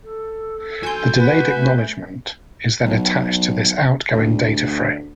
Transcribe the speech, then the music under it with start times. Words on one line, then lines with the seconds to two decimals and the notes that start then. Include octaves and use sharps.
The delayed acknowledgement is then attached to this outgoing data frame.
0.04 A4
0.83 F#4 G#5 C6 G6
1.18 B4 F#5
1.54 A3
2.85 B1
4.12 D2